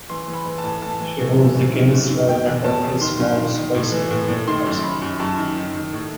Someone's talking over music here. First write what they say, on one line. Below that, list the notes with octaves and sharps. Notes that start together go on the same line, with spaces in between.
She holds the Guinness World Record for the smallest waist on a living person.
E3 C6
E3
B5
E3
A5
A2
E3 A5
E3
A2
E3
F#2
D#3
F#2
D#3
B2 G5
E2
B2 A5
E2
D#3 C6
G2
D#3
D#3
A2
E3
A2
A2
D#3 C6
F#2
D#3 B5
F#2
F#2 A5
D#3
D#3
D#3
A2